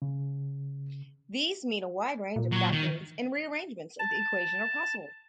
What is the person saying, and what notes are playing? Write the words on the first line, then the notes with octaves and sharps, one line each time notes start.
These mean a wide range of factorings and rearrangements of the equation are possible.
C#3
A#2
F#3 C#5
D#3
A5